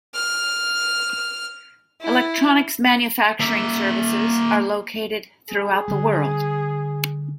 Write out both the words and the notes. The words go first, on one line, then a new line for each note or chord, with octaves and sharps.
Electronics manufacturing services are located throughout the world.
F6
E4
A#3 E5
G#4
D3 G3